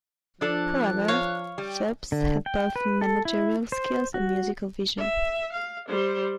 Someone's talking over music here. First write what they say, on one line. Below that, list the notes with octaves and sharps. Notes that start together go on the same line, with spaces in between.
However, Filpse had both managerial skills and musical vision.
F3 D4 A4 D5 F#6
C#5 F5
G3 G5
D3
G5
B4
A4
E4
C5
F#4
E5
F5
G3 C5